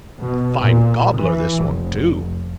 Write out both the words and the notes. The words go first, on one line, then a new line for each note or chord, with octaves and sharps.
"A fine gobbler this one, too!"
B2
A#2
E3
F1